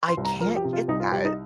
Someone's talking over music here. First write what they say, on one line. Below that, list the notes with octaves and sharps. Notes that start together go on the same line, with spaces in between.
I can't get that.
C6
C2
A#5
F3 A#4
G4
C3
F4
C2 D#4
F4
C2 G4
D#4